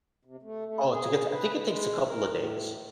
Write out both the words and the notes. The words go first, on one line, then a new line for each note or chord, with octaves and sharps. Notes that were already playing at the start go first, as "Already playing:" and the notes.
oh, to get to I think it takes a couple of days,
C3
A3
A3
G#4
B4
G#3
A#4
A2